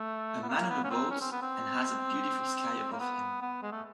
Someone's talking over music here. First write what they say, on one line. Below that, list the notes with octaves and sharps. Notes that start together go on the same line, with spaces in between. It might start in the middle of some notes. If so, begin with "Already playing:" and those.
A man on a boat and has a beautiful sky above him.
Already playing: A3
B3
A#3
B3
C#4
C4
C#4
C4
B3
C4
A#3
B3
B3
G#3
A3